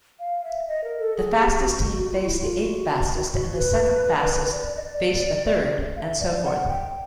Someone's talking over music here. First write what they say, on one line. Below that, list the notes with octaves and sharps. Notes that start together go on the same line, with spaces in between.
The fastest team faced the eighth-fastest, the second-fastest faced the third, and so forth.
F5
E5
D#5
A#4
A4
G#4
G4
F#4
F4
E4
F4
F#4
B4
D5
D#5
D5
F5
E5
D5
F#5
G5